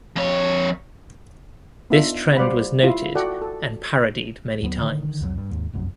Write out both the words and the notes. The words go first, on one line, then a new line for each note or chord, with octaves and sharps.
This trend was noted and parodied many times.
F2 C#5
B3 D4 D#4 F4 E5
G3 C5 D5 F5 F#5 B5
E4 F4
F#4 A4 D5 F#5 G5
A4
D#2 F#3 B3
D3 D#3
C2 F2 E3 F#3
G2
D#2 G#2
F1 C2 F#2